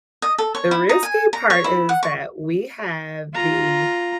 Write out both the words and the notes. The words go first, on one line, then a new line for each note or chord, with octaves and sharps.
the risky part is that we have the
D#5
A4
C#5
E4
D#4
G#5
A#5
C#5
E4
F#5
C#6
F4 A#5